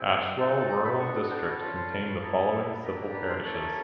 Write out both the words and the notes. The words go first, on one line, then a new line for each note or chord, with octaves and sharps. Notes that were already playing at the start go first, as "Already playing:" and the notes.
Ashwell Rural District contained the following civil parishes.
Already playing: C4 E4 G#4
G#5
C4 D#4 F#4 A4
A5
A#5
B5
B3 D4 F#4 A4 C#6
G5
D#5
C#4 F4 A4 D5
C5
B4
B4
B3 E4 A4 A#4
A4
A#3 D4 G4 A#4
B4
C5
A#3 C#4 E4 A4 C#5
C#5